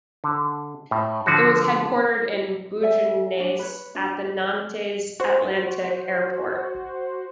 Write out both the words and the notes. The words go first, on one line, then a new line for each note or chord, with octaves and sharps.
It was headquartered in Bouguenais at the Nantes Atlantique Airport.
D3
A2
D3 F3 F#4
A4 D5 E5 G#5
D4 F#4 G#5
B4 C#5
D4 F#4
F#4 C5